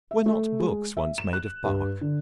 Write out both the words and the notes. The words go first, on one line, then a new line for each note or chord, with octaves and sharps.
Were not books once made of Bark?
E5
A3
G#3
E5
E7
F#6
G2
D3